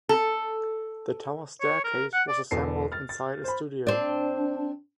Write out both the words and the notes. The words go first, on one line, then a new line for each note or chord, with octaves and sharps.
The tower's staircase was assembled inside a studio.
A4
C#5
A#4
F#5
D5
E1 E2 A4 C7
F6 A6
A6
C5 B5
C4 D4